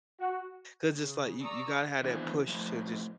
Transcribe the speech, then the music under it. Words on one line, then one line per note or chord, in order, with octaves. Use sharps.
'Cause it's, like, you you gotta have that push to just
F#4
C#3
D5 A#5 C#6 D#6 E6
D#3 E3 B3 D4 E4 C5
A2 F3